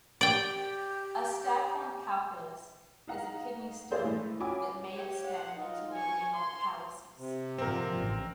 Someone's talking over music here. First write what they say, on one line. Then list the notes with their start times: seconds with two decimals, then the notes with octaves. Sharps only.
A "Staghorn calculus" is a kidney stone that may extend into the renal calyces.
0.21 G4 D5 G5
3.07 D#4 F5 F#5 A#5
3.91 G4 G#4 C5 D5 F5
4.02 A2 E3 G#3 A3
4.40 C#4 F4 F#4 G#5 B5 D6
4.93 G4 C#5
5.27 F#5
5.59 D#4 F4
5.94 G#5 C#6
6.34 C6
7.18 C3
7.58 A#2 D3 F3 C4 A#4
7.99 A1